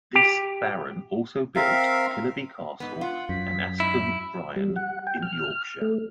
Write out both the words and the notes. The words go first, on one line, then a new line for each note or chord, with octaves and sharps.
This baron also built Killerby Castle and Askham Bryan in Yorkshire.
G4
C4 A#4 E5 F5
G#2 B3
F4 F#5
F#2 B6
G#2 E4
G3
F#5
G5
F6
A3